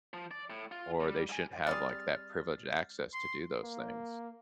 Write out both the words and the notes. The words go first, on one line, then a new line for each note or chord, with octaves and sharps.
or they shouldn't have like that privileged access to do those things.
F3
D5
A2
F4
G3
G#2 G#5
G3 C4 G#4 F6 A6
C6
A#3